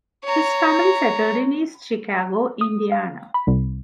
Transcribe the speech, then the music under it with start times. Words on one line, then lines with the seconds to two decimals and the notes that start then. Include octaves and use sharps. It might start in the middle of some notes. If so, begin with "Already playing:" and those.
His family settled in East Chicago, Indiana.
0.24 C#5 A#5
2.61 D#6
2.92 F5
3.34 B5
3.47 C2